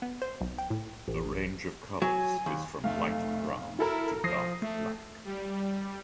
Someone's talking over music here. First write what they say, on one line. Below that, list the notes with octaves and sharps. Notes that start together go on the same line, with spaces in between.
The range of colors is from light brown to dark black.
B3
C5
B1
G5
A2
A1
F#3 G#5
D#2
F1 B1 A3 F5
E4 F#4 A4 A#4
F3 D#6 A#6 C7
A3
G3